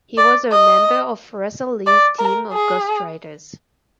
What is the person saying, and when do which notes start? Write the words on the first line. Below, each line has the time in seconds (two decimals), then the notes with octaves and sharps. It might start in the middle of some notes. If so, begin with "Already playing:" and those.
He was a member of Russell Lee's team of ghost writers.
0.17 D5
0.52 D#5
1.86 D5
2.19 A#4
2.53 G#4